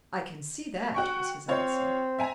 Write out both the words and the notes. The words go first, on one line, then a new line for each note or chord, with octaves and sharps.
"I can see that," was his answer.
F#4 G5 C#6
C4 F4 C#5
E5 G#5 A#5